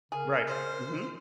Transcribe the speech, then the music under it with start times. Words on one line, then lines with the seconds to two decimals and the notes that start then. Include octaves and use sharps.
Right, mhm.
0.12 C#3 G#4 A#4
0.47 C5